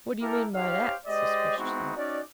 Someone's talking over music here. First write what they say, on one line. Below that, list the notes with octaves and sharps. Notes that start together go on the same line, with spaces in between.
"What do you mean by that?" suspiciously.
A#3 E4 G4 A4 A#4
D#4 G4 C5 C#5 F5
G#3 G4 C5 D5 D#5
G#3 B3 C4 D#4 E4 F#4
C#4 D#4 F#4 D5